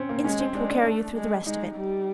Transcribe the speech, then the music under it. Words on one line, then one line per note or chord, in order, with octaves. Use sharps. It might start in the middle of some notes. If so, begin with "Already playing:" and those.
"Instinct will carry you through the rest of it."
Already playing: C4 C#4
A#3
G#3 C#4
C4
G#3 D4
D4
A3 D4
G#3
G#3 D#4
G3